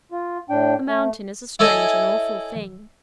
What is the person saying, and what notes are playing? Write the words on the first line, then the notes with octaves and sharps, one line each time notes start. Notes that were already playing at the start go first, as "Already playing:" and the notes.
A mountain is a strange and awful thing.
F4
A2 D4 G5
A3
E4 A4 C#5 D#5 E5 G#5